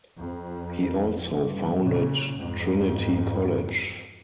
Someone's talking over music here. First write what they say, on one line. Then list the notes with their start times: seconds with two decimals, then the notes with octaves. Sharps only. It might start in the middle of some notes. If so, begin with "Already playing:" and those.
He also founded Trinity College.
0.18 F2
1.28 G2
1.82 A#2 C#3
2.37 F2 G#2